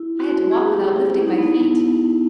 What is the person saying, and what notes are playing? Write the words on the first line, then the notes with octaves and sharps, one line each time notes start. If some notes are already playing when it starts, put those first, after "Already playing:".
I had to walk without lifting my feet.
Already playing: E4
F#4
G#4
G4
E4
D#4
B3
B3